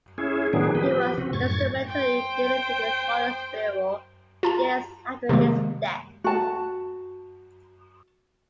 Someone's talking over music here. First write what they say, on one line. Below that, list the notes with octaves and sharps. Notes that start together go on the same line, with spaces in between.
He was instrumental in dealing with his father's burial, years after his death.
C#4 E4 G#4
A2 D#3 F#3 B3 D4 G#4
F3 G4 B4
C#3 C4 F#4
F#2 A2 C#6 G#6 A6
C5 G5
F4 A5 A#5
C3 D#3 G3 G#3 A#3
F#4 A5